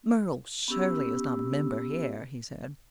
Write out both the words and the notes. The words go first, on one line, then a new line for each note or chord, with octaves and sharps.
"Merle Shirley is not a member here," he said.
B3 C#4 G4 E6